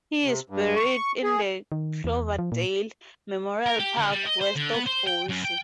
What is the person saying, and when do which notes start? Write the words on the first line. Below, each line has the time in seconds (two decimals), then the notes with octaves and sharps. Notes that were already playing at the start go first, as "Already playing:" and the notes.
He is buried in the Cloverdale Memorial Park, west of Boise.
0.23 C3
0.50 G2
0.76 C#6
1.23 G#4
1.72 D#3
2.04 E2
2.39 F3
2.52 A#2
3.66 A#4
3.80 G4
3.98 D3
4.12 G3
4.26 D#5
4.41 C5
4.56 D3
4.74 B3
4.87 C5
5.08 G5
5.29 F#2
5.44 G5